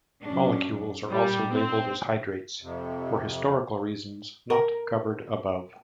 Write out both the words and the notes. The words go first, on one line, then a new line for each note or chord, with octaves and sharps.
Molecules are also labeled as hydrates for historical reasons not covered above.
F#2 C#4 D4
A#2 G3
C4
F2 C3
A#4